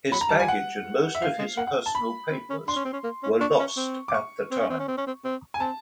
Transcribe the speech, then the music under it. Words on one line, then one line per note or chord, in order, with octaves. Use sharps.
His baggage and most of his personal papers were lost at the time.
F#3 B5
A#5
G3 A5
G#5
F#5
E5
F3 F5
G#3
A#3 F#5
F#5
A5
B5
C4
C#4
D4 C6
C#4
C4
C#4
A#3
C#4
D4 C#6
C#4
C4
D6
C#6
C4
C#4
C4
C#4
C4
C#4
C4
C4
G#5
C4 A5